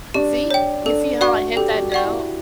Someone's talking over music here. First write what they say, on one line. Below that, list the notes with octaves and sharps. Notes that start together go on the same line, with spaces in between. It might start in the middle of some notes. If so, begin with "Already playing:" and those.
See, you see how I hit that note?
D4 G4
C#5 G5
D4 A4
F#4 D5 F#5 C#6
G4 A4
F#4
D5 F#5 C#6
E4